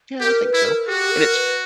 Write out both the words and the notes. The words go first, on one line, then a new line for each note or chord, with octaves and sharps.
Yeah, I think so, and it's b
G4 A#4
B4
E4
A#4
F#4 G4
A#4
B4